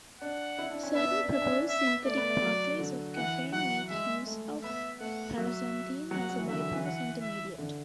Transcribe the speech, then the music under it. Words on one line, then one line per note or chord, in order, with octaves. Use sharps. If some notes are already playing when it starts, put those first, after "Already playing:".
Certain proposed synthetic pathways of caffeine make use of paraxanthine as a bypass intermediate.
D4 F#5
E4
D4
C#4
B3 E5
D4
D4
D4 E5
C#4
D4
E5
B3
A3 D5
B3
A3
F#3
D3
E3 F#5
F#3 F#5
G#3 E5
A3
B3 E5
A3 F#5
F#3 E5
F#3 F#5
F#3
E3
D3 E5
E3
E3
F#5
E5
D3